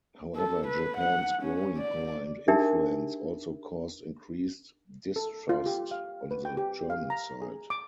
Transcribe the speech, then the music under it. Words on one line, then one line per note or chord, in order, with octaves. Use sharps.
However, Japan's growing power and influence also caused increased distrust on the German side.
A4
B4
F#5
C#4
D5
D4 D#4 G4 G#4 A#4 E5
A4
F4
G4
F5
B4
G5
G4
F5
A#5
G#4
D6